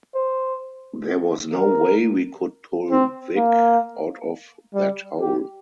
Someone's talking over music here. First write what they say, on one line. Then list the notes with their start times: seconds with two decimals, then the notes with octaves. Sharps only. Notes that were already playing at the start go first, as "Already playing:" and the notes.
There was no way we could pull Vik out of that hole.
0.15 C5
1.53 A#4
2.91 C4
3.36 A#3
4.74 G3
5.21 G4